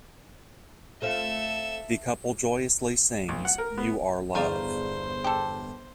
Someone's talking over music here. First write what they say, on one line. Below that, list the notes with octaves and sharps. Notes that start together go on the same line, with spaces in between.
The couple joyously sings "You Are Love".
A3 C4 F4 A4 E5
B1
F#5
A#4
B3
G1 E2 G#4 C5 D5 F5 A#5
G4 A4